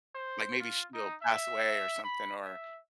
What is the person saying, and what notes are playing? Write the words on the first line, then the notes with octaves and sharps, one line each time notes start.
Like, maybe she'll pass away or something, or,
C5
F4
D#4
E5
B5
E5